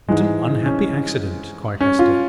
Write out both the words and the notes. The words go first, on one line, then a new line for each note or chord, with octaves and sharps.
"What an unhappy accident!" cried Hester.
G#2 E3 G#3
C#4
C#4
F4